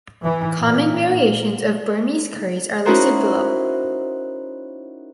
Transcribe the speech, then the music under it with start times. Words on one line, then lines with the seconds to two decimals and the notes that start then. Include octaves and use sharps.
Common variations of Burmese curries are listed below.
0.22 E3
0.59 A#2
2.85 C#4 D#4 E4 F#4 A#4 C5